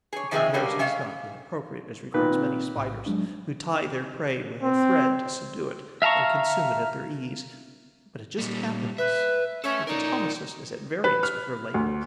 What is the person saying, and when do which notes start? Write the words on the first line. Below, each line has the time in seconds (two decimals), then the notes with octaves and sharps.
The comparison is not inappropriate as regards many Spiders who tie their prey with a thread to subdue it and consume it at their ease; but it just happens that the Thomisus is at variance with her label.
0.13 G#4 C#5
0.31 D#3 F3 G#3 C4 G#4 E5
0.54 B2 D3 F#3 G3 A#3
0.79 G#3 C#4 E5 F5
2.14 A#2 D#3 B3 D#4 B4
2.31 C4
2.76 A#1 A2
3.06 F#3 G#3 D4
4.63 C4
6.02 E5 F5 A5 A#5 C#6
8.38 A#2 G3
8.98 B4 E5
9.64 C#4 A4 E5
9.87 D#4 A#4 D5
11.04 B4
11.23 F6
11.74 D2